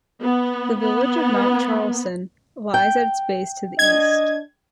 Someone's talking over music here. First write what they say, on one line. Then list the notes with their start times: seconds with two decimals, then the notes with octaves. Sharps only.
The village of Mount Charleston lies at its base to the east.
0.22 B3
0.80 B3
2.74 G5
3.79 D4 D#5 G#6